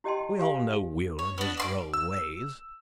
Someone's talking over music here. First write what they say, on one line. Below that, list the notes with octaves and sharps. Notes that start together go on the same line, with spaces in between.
"We all know Will and his droll ways."
E4 G4 D#5 G5 A5 C6
G4 F5 G#5
C#5
B3 D4
D5 C6 D6
E6